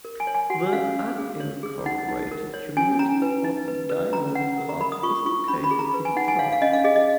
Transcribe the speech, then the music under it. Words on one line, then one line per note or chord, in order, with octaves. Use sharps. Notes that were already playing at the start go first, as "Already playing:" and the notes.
The unincorporated community of Diamond Bluff is located in the town.
A#4
G#5
C#5
G#5
F#4 F#5
C#4 F5
C#4
G#4
C#5
G#4
D#4 F#5
D#4
A#4
C#5
C#4 G#5
C#4 A#5
B4
D#4
B4
B4
C#4 A#5
C#4 F#5
A#4
A#5
A#4 B5
D#6
F4 C#6
F4 C#6
C#4 B5
B5
G#4
A#5
B4
G#5
D#4 F#5
G#5
C#5 F5
F5
C#4 D#5
F5
G#4 D#5
D#5